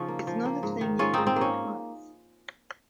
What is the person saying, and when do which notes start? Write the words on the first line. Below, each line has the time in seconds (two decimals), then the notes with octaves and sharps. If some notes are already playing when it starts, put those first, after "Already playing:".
It's not a thing you can do twice.
Already playing: C#3 F3 C#4 D#4 F4
0.08 A#3
0.27 F3
0.45 A#3
0.63 G#2
0.81 D#3
0.99 G#2 C#4 F4
1.14 G#2 C4 D#4
1.27 C4
1.36 A#3 C#4